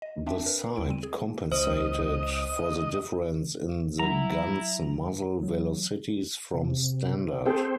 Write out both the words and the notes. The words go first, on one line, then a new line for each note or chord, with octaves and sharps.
The sight compensated for the difference in the gun's muzzle velocities from standard.
D#5
C4 D4 E5 G5 A5
A#4 B4
D#2 E4 D7
G3 C4 D#7
G#4
C#2 C5 D#5
F#3 E4 A#5
F#3
C3
C4 G#4 A4 C5 G5